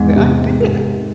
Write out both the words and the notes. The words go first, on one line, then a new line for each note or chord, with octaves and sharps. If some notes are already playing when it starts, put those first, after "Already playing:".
The idea!
Already playing: E2 G#2
C3